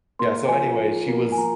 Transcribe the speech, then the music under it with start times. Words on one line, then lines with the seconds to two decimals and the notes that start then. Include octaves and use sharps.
Yeah, so anyway, she was
0.19 A#3 C6
0.48 F3 G#5
0.78 F3
1.08 A#3
1.32 G#5
1.37 F3 A#5